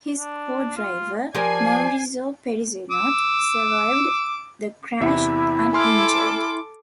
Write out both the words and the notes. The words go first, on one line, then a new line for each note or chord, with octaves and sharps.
His co-driver Maurizio Perissinot survived the crash uninjured.
D4
F4
F3 G4 A#4 D5 G#5 C7
D6 E6
E2 C3 E4 E5
A4 G#5 C6 D6 F6